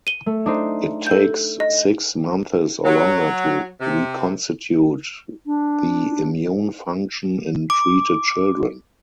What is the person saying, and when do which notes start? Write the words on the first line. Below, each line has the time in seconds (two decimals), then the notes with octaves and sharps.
It takes six months or longer to reconstitute the immune function in treated children.
0.07 D#7 G7
0.26 A3
0.46 D4 D#4 C5
1.07 A4 G6
1.60 D#5
2.85 F#3
3.81 C3
5.46 D4
7.70 D6